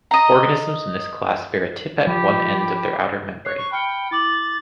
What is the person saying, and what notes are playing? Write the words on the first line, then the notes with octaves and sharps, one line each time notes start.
Organisms in this class bear a tip at one end of their outer membrane.
D#5 A#5
F3 G4 B5
C#5 F#6 C7
C#6
G5 B5 F6 C#7
E4 D6 A6 F#7